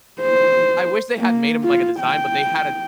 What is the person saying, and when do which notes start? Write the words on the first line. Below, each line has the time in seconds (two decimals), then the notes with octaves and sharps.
I wish they had made 'em like a design, but they had a
0.21 C5
1.18 A#3
1.64 F4
2.00 G5